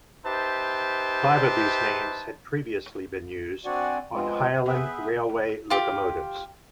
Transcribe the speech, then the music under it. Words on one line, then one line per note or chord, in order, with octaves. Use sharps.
Five of these names had previously been used on Highland Railway locomotives.
D#4 G4 B4 C5 E5 A5
C4 D4 F#4 D5 F#5 G#5
F3 G#3 B3 C4 F4
C3 C5
B3 G#4 B4 E5 G5
F4 G4